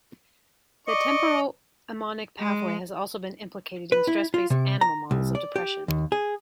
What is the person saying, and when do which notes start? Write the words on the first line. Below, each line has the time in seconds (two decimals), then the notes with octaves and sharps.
The temporoammonic pathway has also been implicated in stress-based animal models of depression.
0.88 D5 D#5 C#6 D6
2.38 G#3
3.92 B4
4.07 E4
4.34 F4
4.50 C3
4.81 A#5
5.11 C2
5.35 D5
5.56 G4
5.88 D#2
6.12 G#4